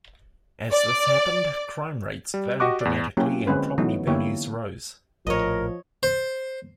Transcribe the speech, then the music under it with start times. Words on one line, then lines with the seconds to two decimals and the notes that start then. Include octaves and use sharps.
As this happened, crime rates fell dramatically and property values rose.
0.72 D5
2.34 G3
2.60 F#4 G4 D#5 C#6 D6 F#6
2.81 E2 D5
3.17 F#3 A#3 C#4 E4 F#4 G4
3.47 D3 G#3 C4 C#4 B4 C5
3.78 E3 F#3 A3 B3 D#4
4.07 D3 A#3 B3 E4 G4 C#5
5.27 A#1 A2 F3 A#4 C#5 D#5
6.03 C5